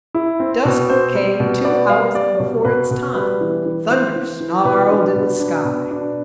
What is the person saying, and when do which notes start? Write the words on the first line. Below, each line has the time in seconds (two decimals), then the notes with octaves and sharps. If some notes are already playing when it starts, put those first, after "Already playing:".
Dusk came two hours before its time; thunder snarled in the sky.
0.15 E4
0.40 C4
0.65 B2
0.90 C4 C5
1.15 G3
1.40 B2
1.65 B3 D5
1.90 G3 F5
2.15 G3 D5
2.40 B2
2.65 B2 B4
2.91 B2
3.15 G3 B4
3.41 E3
3.66 E3
3.91 E3 C5
4.16 E3
4.40 E3
4.65 B2 B4
4.91 D4
5.16 B2
5.40 D4
5.65 B2
5.91 D4